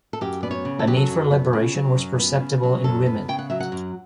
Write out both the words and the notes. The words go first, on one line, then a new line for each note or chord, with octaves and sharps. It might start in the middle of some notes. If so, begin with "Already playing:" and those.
A need for liberation was perceptible in women.
A4
F#2 G4
B3 D5
C#5
C#3
A4
F#3 G4
A4
F#2
B3
C#3
F#3
F#2
B3
C#3
F#3
F#2 A4
B3
C#3 G5
F#5
F#3 E5
F#5
F#2